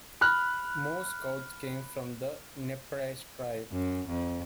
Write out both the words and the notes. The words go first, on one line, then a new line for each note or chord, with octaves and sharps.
Most scouts came from the Nez Perce tribe.
B5 F6 F#6
F#2
F2